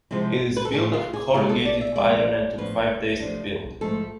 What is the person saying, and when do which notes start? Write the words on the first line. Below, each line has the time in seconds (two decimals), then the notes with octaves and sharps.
It is built of corrugated iron and took five days to build.
0.11 C3 F3 G#3 C4 E4
0.57 B4
0.65 A4
0.72 A2 E3 A3 G#4
0.93 F4
1.13 G#4
1.34 B2 G#3 B3 E4 F4
1.49 A4
1.65 D5
1.81 E5
1.96 F2 C3 G#3 B3 D5
2.58 A2 F3 B3 D4 B4
3.19 F2 C3 F3 A3 D4
3.81 G#2 F3 A3 E4 A4